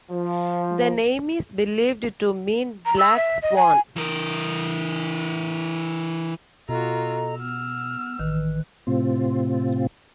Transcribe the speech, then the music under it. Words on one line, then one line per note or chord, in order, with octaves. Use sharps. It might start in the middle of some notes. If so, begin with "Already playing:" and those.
The name is believed to mean black swan.
F3
A#5
E6
E5
D#5
G#5
E3 A#4
B2 F4 F#4 A4 D#5 A#5
B3 E6 F6
A1 D#3 E3 B4
A2 C3 C4 F4